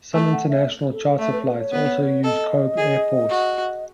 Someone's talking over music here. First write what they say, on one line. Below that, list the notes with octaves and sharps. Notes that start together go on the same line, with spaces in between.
Some international charter flights also use Kobe Airport.
A3 E5
F#5
E5
A4
A3 E5
B4
C#5
B4
C#5
B3
A4 D#5
G#4
F#4